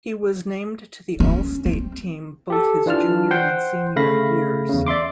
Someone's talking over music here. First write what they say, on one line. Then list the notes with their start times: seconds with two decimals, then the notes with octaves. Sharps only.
He was named to the All-State team both his junior and senior years.
1.20 C#4
1.66 C4
2.50 G4 A4
2.86 E3 D4 F4 A5 F6
3.31 C5 F#5 G5 C6
3.96 C#3 A3 F5 B5 A#6
4.69 E2 C#3
4.87 D5 E5 C6 D6